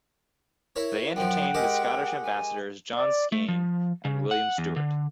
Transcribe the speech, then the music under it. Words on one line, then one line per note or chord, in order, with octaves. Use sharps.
They entertained the Scottish ambassadors John Skene and William Stewart.
E4 A#4 C#5
F#2 F3 F#5 G5
G#3 G4 A#4
G#5
D5
A3
F3
C#3
F#5
E2
D3